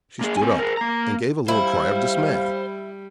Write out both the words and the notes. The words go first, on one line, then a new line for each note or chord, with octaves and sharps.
She stood up and gave a little cry of dismay.
A#3 G#4
C4 G#5
G#4 A#4
A#3 A#5
G3 E4 C5 F5